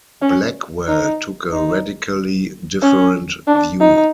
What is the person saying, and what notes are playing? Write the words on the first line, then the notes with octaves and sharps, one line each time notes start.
Blackwell took a radically different view.
C#4
D#4
D#4
C#4
D4
D#4